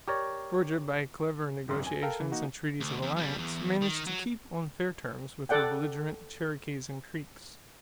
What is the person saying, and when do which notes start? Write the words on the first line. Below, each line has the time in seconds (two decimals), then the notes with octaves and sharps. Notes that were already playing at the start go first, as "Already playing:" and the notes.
Georgia, by clever negotiations and treaties of alliance, managed to keep on fair terms with her belligerent Cherokees and Creeks.
0.08 G4 A#4 C#5 D5
1.68 G#1 F#2 C6
1.87 G#5
2.02 A4 A#4 F5 G5 A5
2.20 E3
2.32 A#3 D#4 F#4
2.80 D2
3.02 E2
3.16 B1 G3
3.38 E2
3.82 D#3
4.07 F#3
5.49 A4 D5 F#5 G5